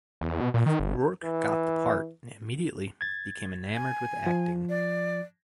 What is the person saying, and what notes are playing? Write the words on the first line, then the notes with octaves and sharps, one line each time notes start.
Rourke got the part and immediately became enamored with acting.
E2
B2
A#2
D#3
G1
E3
G#6 A6
G#5
F3
D5